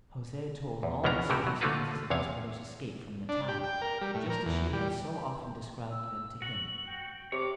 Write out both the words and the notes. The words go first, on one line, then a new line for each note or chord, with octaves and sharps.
Jose told all the circumstances of his mother's escape from the tower, just as she had so often described them to him.
E2
C#2 B2 C#4 D4 A#5
A2 C3 E3 F#4 G4
F#3
D3 A3 A#3 F4 F#4 B4
E2 C3 C#5 F5
D4
G4
G5
A#4
G3
A2
A#4
E2
G3
E6
F#4 F#7
G5
C3 C#5 D6